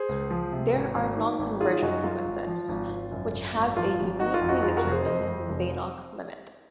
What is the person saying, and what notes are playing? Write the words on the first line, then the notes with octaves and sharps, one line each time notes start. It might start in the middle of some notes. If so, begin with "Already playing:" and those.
There are non-convergent sequences which have a uniquely determined Banach limit.
Already playing: G#4 C5
C#2
F3
C3
G#1
G#1
D#3
G#1
D#3 F4 G#4
F#2 D#4 F#4
F#3 F4
G#1
F3
G#1
G#1
F#2
F#2
G#1
F3 F4
G#1
D#3 D#4 F#4
F4
F2
D#4 F#4
F2 F4 G#4
F#4 A#4
F1
G#4 C5
F2 C5 D#5
F2
F1